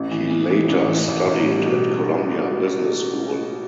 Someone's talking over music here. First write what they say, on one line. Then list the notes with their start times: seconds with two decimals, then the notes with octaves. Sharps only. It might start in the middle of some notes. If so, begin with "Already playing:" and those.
He later studied at Columbia Business School.
Already playing: A1
0.11 E3
0.30 E3
0.50 E3
0.69 A1
0.88 E3
1.08 A1
1.27 A1
1.47 G3
1.66 B2